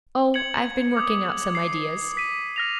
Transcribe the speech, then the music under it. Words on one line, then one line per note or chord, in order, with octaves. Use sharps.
'Oh--I've been working out some ideas.'
G#6 C#7 F#7
D6 D#6
C7
B6 D#7
F6 A#6 F7